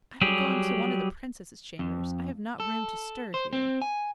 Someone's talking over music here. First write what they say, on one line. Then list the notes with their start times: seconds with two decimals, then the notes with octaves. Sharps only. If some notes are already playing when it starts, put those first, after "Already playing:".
"I will go into one of the Princesses' chambers; I have not room to stir here."
0.21 F#3 G3 G4 G#4
1.79 F2
2.60 A4
3.34 C5
3.53 C4
3.82 G#5